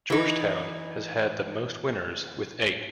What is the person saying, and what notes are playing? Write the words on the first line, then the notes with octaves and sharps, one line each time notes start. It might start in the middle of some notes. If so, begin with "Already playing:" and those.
Georgetown has had the most winners, with eight.
E3 D#4